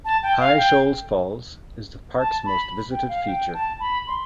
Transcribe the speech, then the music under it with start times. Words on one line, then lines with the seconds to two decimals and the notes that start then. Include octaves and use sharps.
High Shoals Falls is the park's most visited feature.
0.05 A5
0.23 G5
0.40 F5
0.58 G5
2.19 A5
2.46 B5
2.91 G5
3.08 F5
3.27 G5
3.54 A5
3.80 B5
4.07 C6